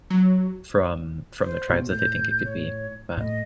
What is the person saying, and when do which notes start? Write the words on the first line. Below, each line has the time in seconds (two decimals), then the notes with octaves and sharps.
from from the tribes that they think it could be, but
0.10 F#3
1.41 C5
1.70 B2
1.91 A2 G6
2.45 C#5
3.17 A2 A3 D#5